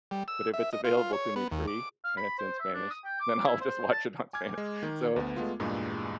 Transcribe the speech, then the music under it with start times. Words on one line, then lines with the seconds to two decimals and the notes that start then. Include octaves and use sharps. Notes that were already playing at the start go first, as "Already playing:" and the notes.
but if it's available to me free and it's in Spanish, then I'll just watch it on Spanish. So
0.11 G3
0.28 E6
0.54 E5
0.73 D#5
0.84 F4
0.97 F4
1.13 C#5
1.36 B3
1.52 D#2
1.67 D6
2.04 F5
2.17 B5
2.38 C5
2.60 E5
2.73 D4
2.90 D#6
3.04 G5
3.20 D6
3.46 E4
3.61 C5
3.92 A5
4.33 G#5 D6 F6 G#6
4.58 G#3
4.83 D#3
5.16 D2 B3
5.36 G#3 A3 B3 F4
5.59 E2 G2 A#2 G3 G#3